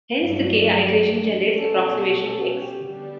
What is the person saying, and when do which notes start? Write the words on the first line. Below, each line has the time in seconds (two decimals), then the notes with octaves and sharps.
Hence the "k" iteration generates approximation "x".
0.22 G2 F#3 A3 D4 E4
0.44 F#4
1.53 B2 G3 C#4 A4
2.19 A4
2.41 F#4
2.62 G4
2.84 D3 G3 B3 D4 G4